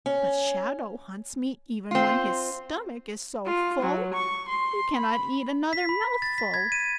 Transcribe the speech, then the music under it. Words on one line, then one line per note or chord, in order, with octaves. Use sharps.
But Shadow hunts me even when his stomach is so full he cannot eat another mouthful.
C#4
C4 F4
F4
F#3
C#6
C6
B5
B6
B5
A6
B6
G#6
D#7